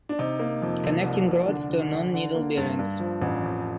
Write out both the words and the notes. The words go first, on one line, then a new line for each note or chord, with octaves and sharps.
Connecting rods turn on needle bearings.
D4
C3 D#4
A#3
F2
C3
C2
C2
D3 D4
D2
D2
D3
A#3
G2
G2
F3
A1
F2